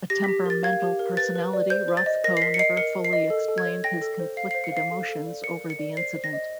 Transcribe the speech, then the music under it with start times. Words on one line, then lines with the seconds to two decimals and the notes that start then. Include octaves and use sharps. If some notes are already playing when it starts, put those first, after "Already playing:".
A temperamental personality, Rothko never fully explained his conflicted emotions over the incident.
0.10 G4 A#6
0.24 G4 B6
0.46 A#4 A6
0.63 F5 G#6
0.82 G4
0.99 A#4
1.17 B4 A6
1.36 B4
1.53 D5
1.70 C5 G6
1.88 C5
1.97 A6
2.06 D#5
2.24 A#4 A#6
2.37 C7
2.41 A#4 B6
2.54 C#7
2.59 D#5 C7
2.77 A#4 C#7
2.95 A#4
3.04 C7
3.13 D#5
3.30 A4
3.48 A4
3.58 G#6
3.66 C#5
3.84 G5 A#6
4.01 A4
4.19 C5
4.37 F5 C7
4.51 C5 C7
4.64 C#7
4.72 F5 C7
4.91 A4
5.08 A4
5.26 D5
5.44 A#4 C#7
5.61 A#4
5.70 C#7
5.79 D5
5.97 C5 C7
6.15 C5
6.24 A#6
6.33 D#5